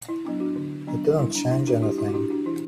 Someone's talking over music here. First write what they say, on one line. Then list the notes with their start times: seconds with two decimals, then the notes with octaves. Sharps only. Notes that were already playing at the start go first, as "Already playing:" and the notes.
It didn't change anything.
0.09 E4
0.25 F#3 B3 D4
0.40 D4 F#4
0.56 D3
0.88 F#3 B3 D4
1.19 G3 E4
1.35 D4
1.51 D4 E4
1.67 D4 F#4
1.82 G3 E4 G4
1.98 E4 G4
2.08 F#4
2.14 D4 E4 G4
2.30 D4 F#4
2.46 E3 E4